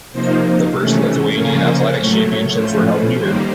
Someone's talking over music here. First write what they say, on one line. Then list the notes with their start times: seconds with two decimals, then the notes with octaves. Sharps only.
The first Lithuanian athletics championships were held here.
0.12 C3 F3 A#3 D#4 C5
0.73 C3 E3 A3 C#4
1.34 C#3 F3 A#3 C#4 A#4
1.63 C5
1.94 A2 F#3 A3 C#5
2.25 C#5
2.55 A2 F3 A3 C#4 C5
2.85 B4
3.16 D#3 G3 A#3 C5